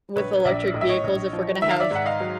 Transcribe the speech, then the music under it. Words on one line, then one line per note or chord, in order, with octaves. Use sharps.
with electric vehicles if we're gonna have
A#1 B4 C#5
A#1 D5 E5
A2 D#5
E5
C#5 D#5
A#1
F3
D#3 E5
F5
D5 E5
G#2 F#5
D#5 F5
F#3